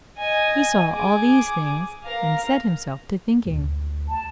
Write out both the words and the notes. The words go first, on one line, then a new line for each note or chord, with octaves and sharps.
He saw all these things, and set himself to thinking.
D#5 G#5
G#4 D6
A#4 F5
D2
A5